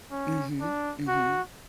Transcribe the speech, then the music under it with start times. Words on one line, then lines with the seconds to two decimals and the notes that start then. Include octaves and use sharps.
Mhm, mhm.
0.11 C#4
0.60 D4
1.08 F#4